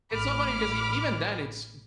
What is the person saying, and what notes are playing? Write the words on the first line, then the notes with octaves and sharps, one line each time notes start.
It's so funny because e even then, it's,
A1 B5 D6 F6